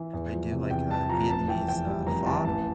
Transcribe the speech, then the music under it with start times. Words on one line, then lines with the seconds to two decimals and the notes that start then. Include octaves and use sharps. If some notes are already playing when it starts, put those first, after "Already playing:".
I do, like, uh, Vietnamese, uh, pho,
Already playing: E3
0.13 E2
0.32 F3
0.52 C3
0.70 E2 G5
0.90 E2 A5
1.09 F3 A#5
1.29 F1 A5
1.48 E3 G5
1.68 E2 G5
1.87 G3
2.07 F1 A#5
2.26 E3 A5
2.45 A1 A5